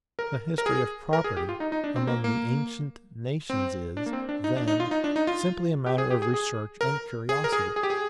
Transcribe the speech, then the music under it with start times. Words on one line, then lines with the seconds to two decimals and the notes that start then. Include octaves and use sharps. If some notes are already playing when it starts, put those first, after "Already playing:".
The history of property among the ancient nations is, then, simply a matter of research and curiosity.
0.19 A#4
0.58 A#4
0.66 G#4
1.13 A#4
1.24 G#4
1.37 G4
1.49 F4
1.60 D#4
1.72 D#4
1.84 D4
1.96 C4
2.07 A#3
2.24 A#3
3.50 C4
3.97 D4
4.06 A#3
4.13 C4
4.29 D4
4.44 D#4
4.57 D4
4.68 D#4
4.80 F4
4.91 D#4
5.04 D4
5.16 D#4
5.27 F4
5.86 G4
5.98 G#4
6.10 G4
6.22 G#4
6.34 G#4
6.81 A#4
7.29 G#4
7.44 A#4
7.52 G#4
7.76 G#4
7.83 G4
7.90 G#4